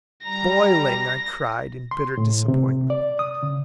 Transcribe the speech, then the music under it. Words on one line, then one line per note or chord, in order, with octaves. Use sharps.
"Boiling," I cried, in bitter disappointment.
G3 A#5 A#6
C6
A2
C3
D5
D#6
C#3